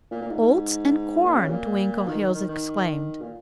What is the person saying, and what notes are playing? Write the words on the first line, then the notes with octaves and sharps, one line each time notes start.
"Oats and corn!" Twinkleheels exclaimed.
A#2
A#2
G#2
G#2
A#2
C#3
A#2
D#3
D#3
D#3
D#3
A#2